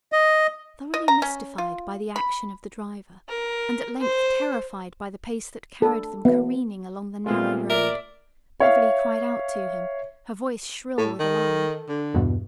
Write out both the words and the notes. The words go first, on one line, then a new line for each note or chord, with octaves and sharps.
Thoroughly mystified by the action of the driver and at length terrified by the pace that carried them careening along the narrow road, Beverly cried out to him, her voice shrill with alarm.
D#5
D#5
A#5
C#4
F4
B5
A#4
C5
A4
B3
A#2 G#3 A3 B3 C4 F4
A#4 D5 E5
C#5 E5 F5
A2 A4
D#3
D3
E2 G2 B2